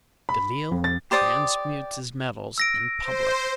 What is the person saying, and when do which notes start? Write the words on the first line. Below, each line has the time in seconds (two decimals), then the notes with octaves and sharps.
Delisle transmutes his metals in public.
0.29 B5
0.72 F2
0.84 A6
1.11 G4 C5 D5 D#6
2.58 E6 A#6 D7
3.01 C5